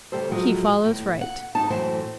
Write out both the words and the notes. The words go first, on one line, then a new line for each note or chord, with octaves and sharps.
He follows right.
D2 G2 G3 G4 A4 C5
A2 F3 F#3 G#3 D#5
D#2 A2
F#5
F2 G#2 D#4 A5
F#2 A2 E3 E4 C5 A5